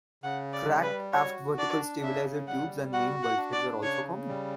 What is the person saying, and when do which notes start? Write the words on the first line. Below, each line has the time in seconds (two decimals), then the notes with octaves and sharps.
Cracked aft vertical stabilizer tubes and main bulkheads are also common.
0.23 C#3 F#5
0.53 D5
0.68 G3
0.83 B4
1.13 F#4 C#5
1.58 D4 D5
2.02 C#3 E5
2.48 G3 F#5
2.93 F#4 F#5
3.23 F#5
3.37 D4
3.53 D5
3.83 C#3 C#5
4.28 G3